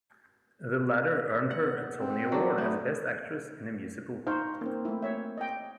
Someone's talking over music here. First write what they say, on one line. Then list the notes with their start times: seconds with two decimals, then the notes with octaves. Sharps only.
The latter earned her a Tony Award as Best Actress in a Musical.
1.51 F#5
1.99 C4
2.32 F#3 D4
2.58 A3 B3
4.27 D#4 C5 F5 C#6 F6 G6
4.61 A#3 C4
4.85 A3 E4
5.02 C#5 E5
5.38 D#5 G5